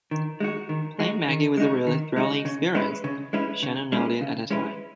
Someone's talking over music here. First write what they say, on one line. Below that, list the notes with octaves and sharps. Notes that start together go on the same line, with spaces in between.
"Playing Maggie was a really thrilling experience," Shannon noted at the time.
D#3
G#3 D#4 F#4
D#3
G#3 D#4 F#4
D#3
G#3 D#4 F#4
D#3
G#3 D#4 F#4
C#3
G#3 C#4 E4 B4
C#3
G#3 C#4 E4 B4
C#3
G#3 C#4 E4 B4
C#3
G#3 C#4 E4 B4